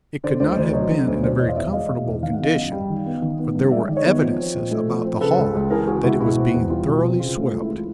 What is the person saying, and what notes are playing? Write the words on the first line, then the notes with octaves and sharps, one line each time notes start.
It could not have been in a very comfortable condition, for there were evidences about the hall that it was being thoroughly swept.
D3 C5 D5
D2 C5 D5
D#5
D2 C5 D5
F#3 C#5 D#5
D3
D2
B2 C5 D5
E2 C#5 D#5
F5
E2 D5 E5
G#3 D#5 F5
B2
E2
D#3 F5
F#5
B3 D#5 F5
F#2
G3
D#3
B3
D#3
B3
G2
G#3 D5 E5
D#3
C#5 D#5
B3
F3
C4
A#2
A3
F3
C4
C#3 A4 B4
C#2
C#2
E3 G#4 A#4
C#3 F#4 G#4
C#2 E4 F#4
B2 E4 F#4
C4
E2
G3 F4
B2
C4
C#3 F4
A3
C#2
E4
E3 F4